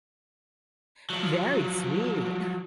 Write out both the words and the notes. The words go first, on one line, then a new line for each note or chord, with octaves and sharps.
Very sweet!
F3 F#3